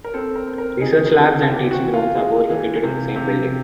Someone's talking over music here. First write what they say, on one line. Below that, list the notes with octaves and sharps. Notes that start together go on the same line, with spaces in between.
Research Labs and teaching rooms are both located in the same building.
A#4
C4 A4
A#4
C4
A#4
D#4 G#4
C4
E3 G4
F#4
E3
F4
G#3
E3
C3
C3